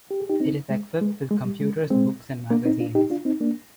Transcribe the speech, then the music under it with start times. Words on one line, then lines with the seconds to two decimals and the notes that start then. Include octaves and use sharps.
It is equipped with computers, books and magazines.
0.11 G4
0.20 G#4
0.29 D#4 G4
0.40 C4 D#4
0.70 G#3
1.01 G#3
1.30 G#3
1.45 G3
1.61 G#3
1.90 G#3 C4
2.50 A#3 D4
2.65 C4 D#4
2.80 D4 F4
2.95 D#4 G4
3.10 D4 F4
3.25 C4 D#4
3.41 A#3 D4